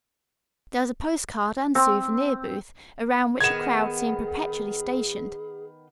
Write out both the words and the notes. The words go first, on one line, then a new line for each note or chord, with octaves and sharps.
There was a postcard and souvenir booth, around which a crowd seemed perpetually stationed.
C4
D#3 B3 G#4 G#6 E7